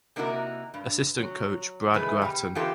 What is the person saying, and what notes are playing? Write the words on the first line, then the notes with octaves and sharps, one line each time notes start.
Assistant coach Brad Gratton.
C3 A#3 D#4 E4 F#4 A#4
G2
F#3
E3 G#3 A3 B4
B2 G3
E3 B3 D#4 F4 G4 A4